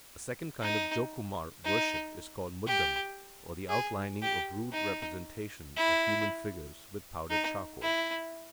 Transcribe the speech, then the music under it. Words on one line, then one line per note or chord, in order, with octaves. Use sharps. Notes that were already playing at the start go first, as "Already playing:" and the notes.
A second kind of Jokumara worship is called muddam, or the outlining of rude representations of human figures with powdered charcoal.
D#4
D#4
G4
G#4
G4
D#4
E4
D#4
E4